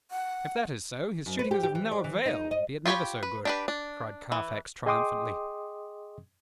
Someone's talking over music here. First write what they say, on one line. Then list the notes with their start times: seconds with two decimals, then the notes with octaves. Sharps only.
"If that is so, his shooting is of no avail, be it never so good," cried Carfax, triumphantly.
0.11 F#5
1.26 F#2
1.39 B4
1.51 G4
1.63 G4
1.75 E3
1.92 D5
2.04 E3
2.26 D#4
2.51 D#5
2.86 F4 G4 C#5 G5 B5
3.23 B4
3.45 D4 G4 B4
3.68 D4
4.32 E3
4.86 G#4 D#5 G5 C6 D6 D#6